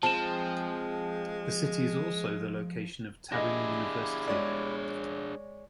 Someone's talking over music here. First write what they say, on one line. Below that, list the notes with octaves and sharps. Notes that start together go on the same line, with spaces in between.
This city is also the location of Tarim University.
F3 G#3 C4 G#4 A5 E7
D4 E4 G4 G#4 D#5 A#6
G#3 C#5 D5